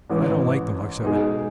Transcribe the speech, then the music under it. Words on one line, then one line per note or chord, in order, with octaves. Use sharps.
I don't like the looks of it.
A1 G#2 E3
B2 G#3 D#4 G#4